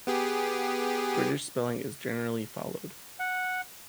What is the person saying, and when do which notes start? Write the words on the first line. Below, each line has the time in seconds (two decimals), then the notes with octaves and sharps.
British spelling is generally followed.
0.07 B3 G4 G#4
3.19 F#5